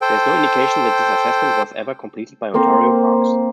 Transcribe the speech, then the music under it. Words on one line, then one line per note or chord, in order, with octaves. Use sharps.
There is no indication that this assessment was ever completed by Ontario Parks.
A4 C5 G5
A#3 C4 C5